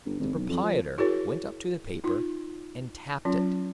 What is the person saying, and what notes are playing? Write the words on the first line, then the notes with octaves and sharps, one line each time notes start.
The proprietor went up to the paper, and tapped it.
G1
G#1
B1
F2
F3
E4 F#4 G#4 A#4 C#5
D#4 F4
F#3 C#4 F4